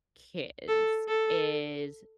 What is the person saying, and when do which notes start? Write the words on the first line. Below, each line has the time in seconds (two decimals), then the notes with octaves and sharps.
Kids is
0.68 A4
1.08 A4